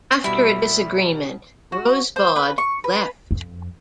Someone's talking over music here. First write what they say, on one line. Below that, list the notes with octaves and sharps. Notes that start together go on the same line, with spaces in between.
After a disagreement, Rosbaud left.
B2 G3 E4
F#4
C5
B4
C#6
B4
F2